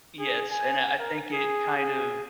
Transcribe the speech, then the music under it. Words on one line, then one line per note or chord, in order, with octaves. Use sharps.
yes, and I, uh, think it kind of,
G#4
G#5
A#4
G#4
G#4